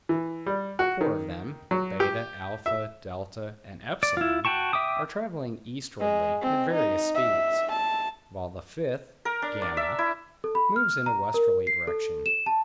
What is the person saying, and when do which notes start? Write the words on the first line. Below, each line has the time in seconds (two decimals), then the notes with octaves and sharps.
Four of them, Beta, Alpha, Delta, and Epsilon are traveling eastwardly at various speeds, while the fifth, Gamma, moves in a westerly direction.
0.09 E3
0.46 G3
0.79 F#4
1.01 D#3
1.71 F#3
2.00 G4
2.66 E5
4.03 D5
4.17 E4 F4
4.45 F#4 G5 A5 C#6
4.73 E5 G5 D6 D#6
6.00 G#3
6.42 C4
6.73 D#4
7.15 E5
7.72 A5
9.25 A#4
9.42 D4
9.62 D5
9.77 E5
9.99 E4
10.44 A4
10.55 B5
10.76 F6
11.06 A#5
11.34 A#4
11.67 C7
11.87 A4
12.26 E7
12.46 A5